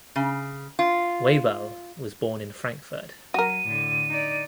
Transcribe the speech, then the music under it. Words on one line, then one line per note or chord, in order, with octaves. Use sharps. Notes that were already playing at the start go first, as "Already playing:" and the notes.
Waibel was born in Frankfurt.
C#3
F4
F#3 F#4 A#4 D#7
A2 D3
D#4 D5